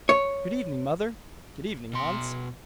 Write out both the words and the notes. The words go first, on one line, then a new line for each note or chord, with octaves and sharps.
'Good evening, mother.' 'Good evening, Hans.
C#5
B2 C6